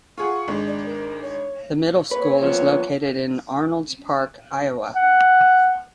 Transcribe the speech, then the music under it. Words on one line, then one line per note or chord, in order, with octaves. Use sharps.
The middle school is located in Arnolds Park, Iowa.
F4 G#4 F#5 C#6
G#1 G#3 D4
D5
A#4
C#5
A#3 C4 B4 C#5
F3 B3
F#5